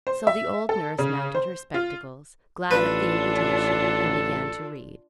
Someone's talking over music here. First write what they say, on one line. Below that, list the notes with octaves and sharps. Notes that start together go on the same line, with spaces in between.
So the old nurse mounted her spectacles, glad of the invitation, and began to read.
C5
E5
A4
C#3
C5
F4
A1 D4 F4 A4 B4